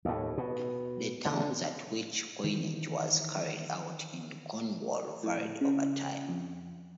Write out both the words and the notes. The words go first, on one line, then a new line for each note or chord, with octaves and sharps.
The towns at which coinage was carried out in Cornwall varied over time.
D#2 A2
B2
D3
D#3 E3
A2
C#3
F2